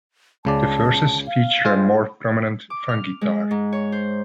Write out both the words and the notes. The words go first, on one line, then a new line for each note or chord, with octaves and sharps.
The verses feature a more prominent funk guitar.
C#2 C#3 D5 A5
F5
G#3 F4 C5
D6
F6
G#3
G#2
C#5
C5